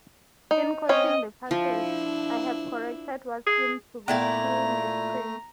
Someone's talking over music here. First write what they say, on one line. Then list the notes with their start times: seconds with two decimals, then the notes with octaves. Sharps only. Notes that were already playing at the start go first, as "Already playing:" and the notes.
In quoting the passage, I have corrected what seem to be two misprints.
0.51 D#4
0.89 C4 C#4 C#5 D#5
1.51 F3 D4 E4
3.47 G#4
4.08 A#2 A3 B3 E4 D5 G5 A#5